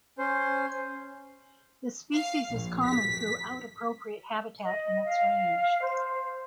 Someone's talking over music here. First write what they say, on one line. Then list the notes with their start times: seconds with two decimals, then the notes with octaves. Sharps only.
The species is common throughout appropriate habitat in its range.
0.19 C#4 C5
2.14 F5
2.51 A#1
2.86 B6
4.64 D#5
5.05 F5
5.82 C5